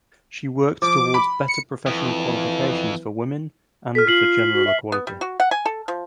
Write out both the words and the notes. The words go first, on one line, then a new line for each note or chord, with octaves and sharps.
She worked towards better professional qualifications for women and for general equality.
F3 D6
B5
C#7
F2 E3
A4 F6 B6
F4 F6 C7 F#7
F#4
E5
B3
G3
F#4
F#5
G#5
A4
F3